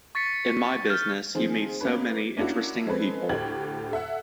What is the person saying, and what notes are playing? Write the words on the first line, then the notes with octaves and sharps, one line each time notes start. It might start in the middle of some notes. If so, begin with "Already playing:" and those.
In my business, you meet so many "interesting people".
C#6 A6 B6 C#7
F6 G6
D#3 F3 C4 G#4
A#3 C#4 B4
A#3 C#4 D4 E4 F#4
F3 G#3 C4 C#4 A4 B4
D2 A2 G4 G#6 F#7
A4 E5 F#5